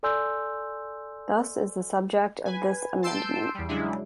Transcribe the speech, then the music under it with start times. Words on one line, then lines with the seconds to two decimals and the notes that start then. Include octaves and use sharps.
Thus is the subject of this amendment.
0.03 A4 D5 G#5 C6 E6 G6
2.45 B4 G#5
3.03 A5 C6 E6 G6 C7 D7
3.54 E2 G3
3.69 C#3 F#3 G#3 D4 E4